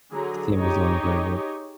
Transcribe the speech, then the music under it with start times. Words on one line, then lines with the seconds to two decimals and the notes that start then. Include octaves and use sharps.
his team was going very good.
0.13 D3 F#3 G#4 A#5
0.56 D#4 G4 G#4 C#5 D#5